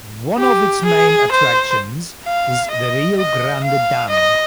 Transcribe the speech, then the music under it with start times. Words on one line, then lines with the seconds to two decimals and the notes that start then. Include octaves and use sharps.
One of its main attractions is the Riogrande Dam.
0.38 G4
0.85 G#4
1.32 C5
2.25 F5
2.71 D#5
3.18 D#5
3.64 F5
4.10 D#5